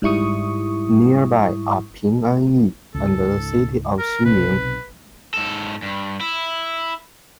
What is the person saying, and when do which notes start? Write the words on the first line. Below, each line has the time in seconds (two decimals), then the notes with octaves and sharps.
Nearby are Pinganyi and the city of Xining.
0.02 G#2 G3 E4 C#6 D#6
2.95 C#2 G#2 A4
3.98 A#4
4.25 B1 C3 B4
5.34 G#2 A4
5.82 G2
6.21 E4